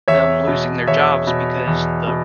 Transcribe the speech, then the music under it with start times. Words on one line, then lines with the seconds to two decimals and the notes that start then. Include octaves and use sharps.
them losing their jobs because the
0.08 E2 C#5 E5
0.47 B2
0.87 E2 C#5 E5
1.27 B2
1.67 E2
2.07 B2